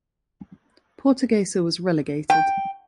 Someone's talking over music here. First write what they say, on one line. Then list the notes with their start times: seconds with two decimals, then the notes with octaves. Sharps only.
Portuguesa was relegated.
2.30 G5